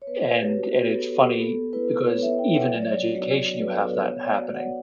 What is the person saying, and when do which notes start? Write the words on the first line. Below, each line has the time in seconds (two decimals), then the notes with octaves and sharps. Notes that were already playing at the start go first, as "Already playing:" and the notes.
and, and it's funny because even in education you have that happening
0.02 C#5
0.07 B3 B4
0.24 B4
0.40 F#4 G4
0.57 F#4
0.68 F#4
0.73 B3 G4
0.90 B4
0.96 A4
1.06 F#4
1.18 G4
1.40 B3 A4
1.73 E4 B4
2.06 B3 C#5
2.22 E5
2.39 E4 G5
2.55 F#5
2.72 F#3 D5
2.82 C#5
2.92 D5
3.06 B3 D4 F#4
3.39 F#3 F#4
3.60 B4
3.72 B3 D4 F#4 A4
3.89 B4
4.05 B3 C#5
4.22 D5
4.38 F#4
4.54 F#5